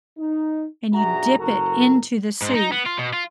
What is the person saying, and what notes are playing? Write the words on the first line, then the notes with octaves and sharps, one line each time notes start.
and you dip it into the soup
D#4
B1 G2 F#4 G#4 E5 A#5
F#1 F#4 A4 A#4 A#5
G#2
D#4
B3
F4
B2
F4